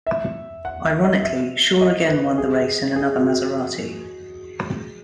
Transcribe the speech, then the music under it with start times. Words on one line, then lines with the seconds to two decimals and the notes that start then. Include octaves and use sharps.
Ironically, Shaw again won the race in another Maserati.
0.07 E5
0.65 F#5
0.85 E5
1.04 D#5
1.23 E5
1.81 D#5
2.09 B4
2.38 G#4
2.96 G#4
3.16 F#4